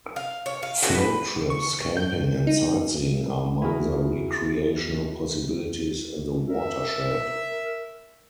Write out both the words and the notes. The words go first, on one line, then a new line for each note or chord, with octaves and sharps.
Float trips, camping, and sightseeing are among the recreational possibilities in the watershed.
F5
C#5
F5
F#4
B4
C#6
G6
D#4
E4 F#4 G#4 A#4
A#4 E5